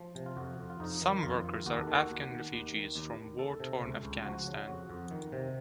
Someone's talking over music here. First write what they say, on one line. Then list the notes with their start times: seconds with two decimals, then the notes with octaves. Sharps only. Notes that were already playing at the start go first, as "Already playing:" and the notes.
Some workers are Afghan refugees from war-torn Afghanistan.
Already playing: F3
0.15 C3
0.26 F4
0.37 F2 F#4
0.58 F2
0.70 F4
0.80 F2 D#4
1.01 D#3
1.23 F2 F4
1.45 D#3
1.66 D#2 F#4
1.80 A4
1.87 D#3
1.94 F#4
2.10 D#2
2.31 D#3
2.52 D#2
2.74 D#3
2.96 D#2
3.17 D#3
3.39 D#3 A4
3.60 C3
3.82 C#2
4.04 C#2
4.25 F3 F#4
4.47 C#3
4.67 F2 F#4
4.90 F2
5.11 D#3
5.32 C3